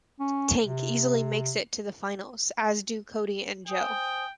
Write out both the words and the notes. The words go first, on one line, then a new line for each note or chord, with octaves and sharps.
Tank easily makes it to the finals, as do Cody and Joe.
C#4
C3
C5 G5 G#5 D#6